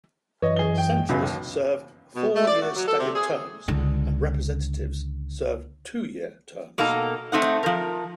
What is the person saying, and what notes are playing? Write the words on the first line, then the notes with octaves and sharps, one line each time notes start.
Senators serve four-year staggered terms and representatives serve two-year terms.
F#2 E3 C#5 D#5
G#4 G7
G5
C#2 F#2 B2
D#2
B2
A3
D5
F#4
F#3
A4
C3
G#4
C#2 D3
B2 A#3 D#4 A4 A#5
A3 C4 D#4 F#5
F3 A#4